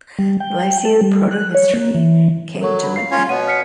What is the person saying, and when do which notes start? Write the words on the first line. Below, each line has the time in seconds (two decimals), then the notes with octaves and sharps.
Lycian proto-history came to an end.
0.19 G3
0.40 G5
0.85 A4
1.01 G3
1.31 F#6
1.54 C#5
1.74 A#3
1.95 E3
2.61 F#3 A4 A#4 C#5 C#6
2.83 B5
2.96 F5 C7
3.11 C#4 F4 C#5
3.29 B2 B3 C#5 F#5 D#7
3.48 F6 B6 C#7